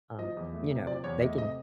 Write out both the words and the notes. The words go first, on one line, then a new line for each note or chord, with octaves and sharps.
Um, you know, they can
F3 D#5
E2
A3
C3
F3 D5
E2 C#5
A3 D#5
C3 D#5